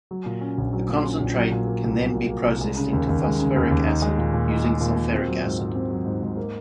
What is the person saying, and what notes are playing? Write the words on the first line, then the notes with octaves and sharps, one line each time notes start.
The concentrate can be then processed into phosphoric acid using sulphuric acid.
F#3
A#2
C#4
A#1
F#3
A#2
C#4
A#1
F#3
A#2
A#3
C2
F#3
A#2
A#3
C2
G#3
C#3
D#2
D#2
G#3
C#3
D#2
D#2
D#4
G#3
A#2
A#2
D#4
G#3
A#2
A#2
C4
F#3
G#2
G#2
C4
F#3
G#2
G#2
A#3